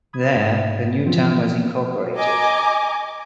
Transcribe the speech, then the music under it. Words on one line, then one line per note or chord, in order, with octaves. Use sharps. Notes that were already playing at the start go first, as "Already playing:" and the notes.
There, a new town was incorporated.
B5 D#6 G#6
G#2
E3 F3 B3 C4 F4
D#5 G#5 A#5 D6